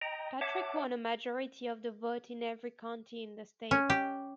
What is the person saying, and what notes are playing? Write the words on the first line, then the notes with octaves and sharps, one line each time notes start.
Patrick won a majority of the vote in every county in the state.
D#5 G5 A#5
C#5 E5 F#5 A5 D6
C#4
G4